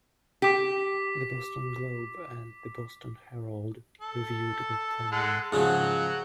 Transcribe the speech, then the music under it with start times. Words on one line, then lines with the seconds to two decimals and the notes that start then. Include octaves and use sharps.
"The Boston Globe" and "The Boston Herald" reviewed the premiere.
0.42 G4 D6 B6
4.01 A4
5.12 G#3 A4 F#5
5.53 G#2 C#3 F3 F#3 F#4 F#5